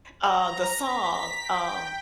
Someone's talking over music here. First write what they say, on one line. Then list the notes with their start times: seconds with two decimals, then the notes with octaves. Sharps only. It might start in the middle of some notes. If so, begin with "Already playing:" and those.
uh, the song, um
0.23 A#5
0.80 B6
1.40 G5